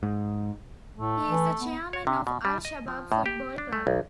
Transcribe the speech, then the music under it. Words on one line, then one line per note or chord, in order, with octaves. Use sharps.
He is the chairman of Al-Shabab football club.
G#2
A2 A3
E3
B3
C#5
C3
B2
G3
D#5
F3
A2
G4
D4
A3
B1